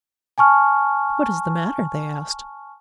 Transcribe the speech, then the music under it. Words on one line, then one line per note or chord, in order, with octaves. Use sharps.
"What is the matter?" they asked.
G#5 A5 C#6 F6